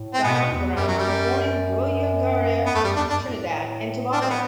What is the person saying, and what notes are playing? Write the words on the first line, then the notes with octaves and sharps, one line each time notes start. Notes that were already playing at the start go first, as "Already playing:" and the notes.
Dionne Brand was born in Guayaguayare, Trinidad and Tobago.
Already playing: A2
C4
B2 B3
E2
F#2 G3
F#3
G3
B3
E2 A3
F#2 G3
E2 D4
F#2 D4
A2
D4
C4
B3